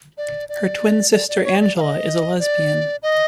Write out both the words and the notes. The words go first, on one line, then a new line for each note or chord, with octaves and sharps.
Her twin sister Angela is a lesbian.
D5
D5
D5
D5
C#5
D5
F5
D#5
D5
D#5